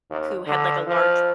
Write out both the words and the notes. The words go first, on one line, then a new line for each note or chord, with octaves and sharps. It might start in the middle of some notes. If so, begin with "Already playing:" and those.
who had, like, a large,
D#2
D3
F3